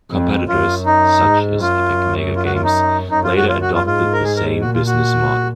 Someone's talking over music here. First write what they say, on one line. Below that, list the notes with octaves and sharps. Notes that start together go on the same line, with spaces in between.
Competitors such as Epic MegaGames later adopted the same business model.
F2
F#2 F4
D#4
G#2
F#2 F4
F4
F#4
F4
D#4
F#2 D#4
F4
F#4
F4
F#4
F4
G#2 F4
A#4
G#4
A#4
A#2 F#4
F4
F#4